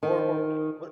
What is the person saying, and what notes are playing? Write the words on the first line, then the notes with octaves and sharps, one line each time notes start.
Or or, eh what
D#3